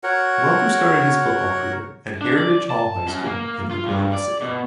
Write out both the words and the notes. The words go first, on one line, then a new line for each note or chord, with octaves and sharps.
Welker started his football career at Heritage Hall High School in Oklahoma City.
F#4 A#4 C#5 F#5
D4
D5
A5
F#2
A#3
F4
G2
D5
B2